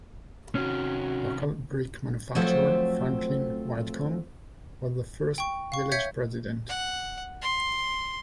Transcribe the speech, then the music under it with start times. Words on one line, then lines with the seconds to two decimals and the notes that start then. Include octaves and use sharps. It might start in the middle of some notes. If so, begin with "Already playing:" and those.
Local brick manufacturer Franklin Whitcomb was the first Village President.
0.55 C3 D#3 C#4 F#4
2.35 F3 F#3 A3 C4 A4 C5
5.38 G5 C#6
5.72 F5 C#6
5.92 C#5 E5 G6 G#6 B6 C#7
6.69 F#5
7.42 C6